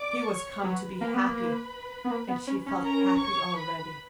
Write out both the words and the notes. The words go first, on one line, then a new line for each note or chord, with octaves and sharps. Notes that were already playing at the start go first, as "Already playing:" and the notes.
She was come to be happy, and she felt happy already.
Already playing: D5 D6
C#5 C#6
F#3 B4 B5
A#3
B3
A#3
B3
A#3
B3
C#4
C#4
A#4 A#5
C#5 C#6
B4 B5